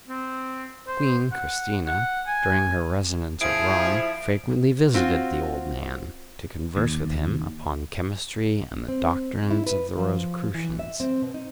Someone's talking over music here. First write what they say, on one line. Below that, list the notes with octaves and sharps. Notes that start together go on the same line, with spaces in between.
Queen Christina, during her residence at Rome, frequently visited the old man, to converse with him upon chemistry and the doctrines of the Rosicrucians.
C4
C5
F#5
F#5
G#5
F3 E4 G#4 D7
C4 F4 F#4
D#2
C4
G#3
E4
B4
F3
E3
E5
C4
B2
D#4